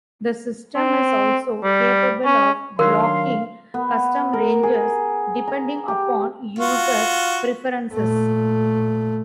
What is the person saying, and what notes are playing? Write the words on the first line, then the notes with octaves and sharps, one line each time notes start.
The system is also capable of blocking custom ranges, depending upon user preferences.
C4
G3
C#4
D#3 F#3 D4 A#4 F5 C6
B3
A#4
G#4
A#5
G4
F4 F#4
A#2 A3